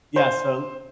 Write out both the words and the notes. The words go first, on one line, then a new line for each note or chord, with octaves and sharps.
Yeah, so
C5